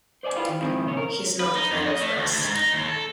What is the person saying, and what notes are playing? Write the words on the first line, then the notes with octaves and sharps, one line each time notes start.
He's not the player for us.
C5 D5 D#5 G#5
E4 F4 G4 B4 F5
D#3
G#2 D#3 F3 C4 E4 G#4
A#2 C#3 D#4 C#5
A#4
B4
D#4
F2
D#5
A3
D2
D2
G#2
D#4
D#2
A4